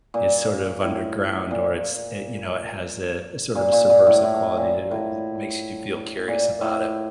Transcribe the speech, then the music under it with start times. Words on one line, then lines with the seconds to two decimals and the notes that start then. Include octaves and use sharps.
it's sort of underground or it's, eh, you know, it has a a sort of a subversive quality to it. It makes you do feel curious about it.
0.14 A#2
0.82 A2
1.51 A#2
3.55 A#2
3.73 A#2
3.90 A#2
4.06 A2
4.24 A2
4.57 A#2
4.91 A2
6.28 A#2
6.61 A2